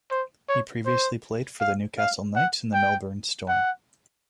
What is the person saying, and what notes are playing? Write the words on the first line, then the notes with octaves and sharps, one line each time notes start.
He previously played for the Newcastle Knights and the Melbourne Storm.
C5
C#5
C5
F5
F5
F#5
G5
F#5